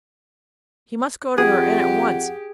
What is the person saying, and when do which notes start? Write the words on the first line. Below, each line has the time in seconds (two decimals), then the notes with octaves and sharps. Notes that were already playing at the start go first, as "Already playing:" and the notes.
He must go to her, and at once.
1.38 F2 G4 G#4 F#5